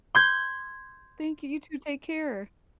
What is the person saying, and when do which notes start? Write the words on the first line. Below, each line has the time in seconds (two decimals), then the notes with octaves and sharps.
Thank you. You too, take care.
0.15 C6 G6 G#6